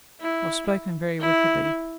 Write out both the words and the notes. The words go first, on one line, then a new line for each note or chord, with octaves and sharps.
I've spoken very wickedly.
E4
E4